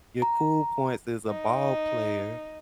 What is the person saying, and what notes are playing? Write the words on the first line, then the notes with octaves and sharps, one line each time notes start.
your cool points as a ball player
A#5
D#4